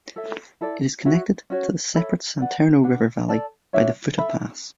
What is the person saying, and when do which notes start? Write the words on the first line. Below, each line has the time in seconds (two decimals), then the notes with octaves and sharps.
It is connected to the separate Santerno river valley by the Futa Pass.
0.16 A4 C#5 E5
0.61 E4 A4 D5
1.05 F#4 C#5 E5
1.50 C#4 F#4 C#5
1.94 A4 C#5 E5 B5
2.40 B4 D5 F#5
2.84 D4 G#4 B4 F#5
3.29 A4 D5 A5
3.73 D4 F#4 C#5 E5
4.18 A4 E5 B5